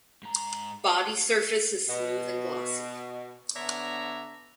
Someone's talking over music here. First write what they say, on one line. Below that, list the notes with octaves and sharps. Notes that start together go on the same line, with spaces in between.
Body surface is smooth and glossy.
G#2 A#5
B2
D3 B3 D4 C#5 E5 A#5